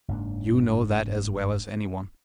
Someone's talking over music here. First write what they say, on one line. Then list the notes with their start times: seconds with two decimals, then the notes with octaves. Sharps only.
You know that as well as any one.
0.08 F#1 G#2 A#3 D4